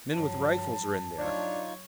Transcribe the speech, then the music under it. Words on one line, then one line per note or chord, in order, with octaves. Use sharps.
Men with rifles are in there.
G2 F3 F#3 A5
F#3 D4 D#4 F4 C#5